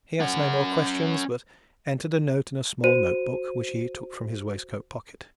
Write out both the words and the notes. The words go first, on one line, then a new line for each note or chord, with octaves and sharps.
He asked no more questions, but entered a note in a small note-book which he took from his waistcoat pocket.
C#4 F#5
F#4 C5 D#7